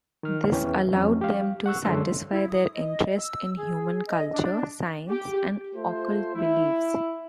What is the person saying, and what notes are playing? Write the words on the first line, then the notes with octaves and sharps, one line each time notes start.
This allowed them to satisfy their interest in human culture, science, and occult beliefs.
D#3 F6
E2 E3 C#4 G5
F2 F#3 C#4
G4 F5
F#5 C#6 E6 F#6
F#2 D3 G#3 C#5 C6 E6
E4
D#6
D#5
E6
G#4
D#5
D4
G4
A3 F4 C5
E4